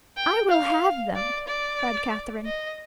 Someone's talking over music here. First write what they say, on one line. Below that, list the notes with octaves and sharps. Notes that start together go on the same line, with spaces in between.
"I will have them," cried Katharine.
G5
F5
D5
D5
D#5